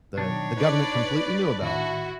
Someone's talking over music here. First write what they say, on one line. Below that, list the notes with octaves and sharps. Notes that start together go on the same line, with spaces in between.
the the government completely knew about,
B2 D#3 F#3 D4 C#5
D4 D#4 B4 D5
A2 D#3 E4 F#4